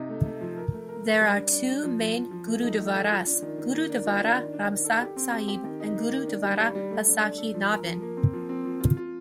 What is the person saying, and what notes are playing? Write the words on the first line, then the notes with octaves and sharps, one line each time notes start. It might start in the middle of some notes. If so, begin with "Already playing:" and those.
There are two main Gurudwaras, Gurudwara Ramsar Sahib and Gurudwara Pathsahi Nauvin.
Already playing: C3 D#4
A3
A3
F3
A#4
A3
A#4
A#4
G3
D4
D4
D4
F3
F3
F3
F3
A3
D#4
A3
A4
F4
D4
D#3
D#3
A#3
D4
F4
D4
D#3
D4
D#3
A4
G4
C4
G4
G4
D#3
D#4
A#3
D#3
D4
G3
G3
G3
A3
D4
D4
A4
F3
A#4
F3
A#3
C4
F3
C4
F3
F4
F4